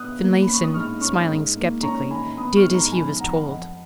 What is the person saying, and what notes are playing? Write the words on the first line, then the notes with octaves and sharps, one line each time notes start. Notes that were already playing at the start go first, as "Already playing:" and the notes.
Finlayson, smiling sceptically, did as he was told.
Already playing: B3 D#6 F#6
A#3
C#4 B5
C#6
D#6
G#2 C#6 F6
C#4 C#6 F6
G#2
A#3
C#4 A#5 C#6
D#3 G#5 B5
B3 B5 D#6
C#6 F6
G#2
A#5 C#6
F3 G#5 B5
F3 F#5 A#5
F2 D#5 F#5